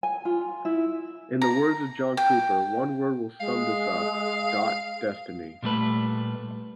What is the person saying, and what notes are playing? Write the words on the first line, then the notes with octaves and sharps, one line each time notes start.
In the words of John Cooper, One word will sum this up.. dot destiny.
G#5
F4
E4
A#5
G5
G#3 F5
A#2 G3 A3 B4